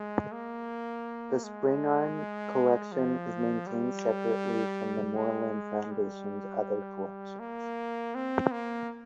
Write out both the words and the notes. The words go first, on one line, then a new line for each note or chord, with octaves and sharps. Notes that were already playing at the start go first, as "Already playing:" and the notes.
The Spingarn Collection is maintained separately from the Moorland Foundation's other collections.
Already playing: G#3
A#3
G#3
F3
G3
G#3
G3
A#3
C4
A#3